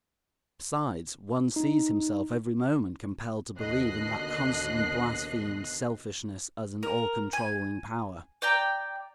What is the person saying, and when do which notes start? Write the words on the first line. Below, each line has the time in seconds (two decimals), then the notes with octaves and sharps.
Besides, one sees himself every moment compelled to believe in that constantly-blasphemed selfishness as an all-controlling power.
1.56 D#4
3.59 D#2 B2 D3 D#5 F#6 C7
6.83 A#4
7.33 G#5
8.42 D5 G5 A#5